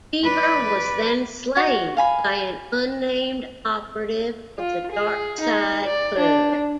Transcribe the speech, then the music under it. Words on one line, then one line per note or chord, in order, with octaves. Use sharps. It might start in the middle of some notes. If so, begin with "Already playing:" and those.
Fever was then slain by an unnamed operative of the Dark Side Club.
B4 D5
F#4 C#5
F5 G#5 B5
F4
G#4
D#4
D5
D4